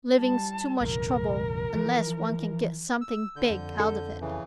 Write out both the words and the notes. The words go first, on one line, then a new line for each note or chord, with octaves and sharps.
"Living's too much trouble unless one can get something big out of it."
G3 A5
F1 A#1 A#4
E3 F3
E6
D3 G6
F2
A4
C#3 E3